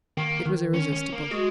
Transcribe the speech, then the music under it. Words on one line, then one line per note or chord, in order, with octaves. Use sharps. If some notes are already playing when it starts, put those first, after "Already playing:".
'It was irresistible.
D#3 A#3
D#3
C#4
C#4
A#3
G#3 F#4